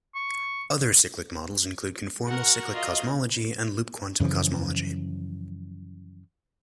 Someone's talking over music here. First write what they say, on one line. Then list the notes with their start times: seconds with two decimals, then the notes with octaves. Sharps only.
Other cyclic models include Conformal cyclic cosmology and Loop quantum cosmology.
0.15 C#6
2.28 F#4 A#4 F#5
2.75 F4 D#5
4.20 F#2 C#3 E3 F3